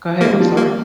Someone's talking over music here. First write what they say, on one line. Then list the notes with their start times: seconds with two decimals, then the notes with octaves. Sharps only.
go ahead, I'm sorry.
0.21 G#3 A#3
0.30 G3
0.40 F3
0.49 G3
0.57 A#3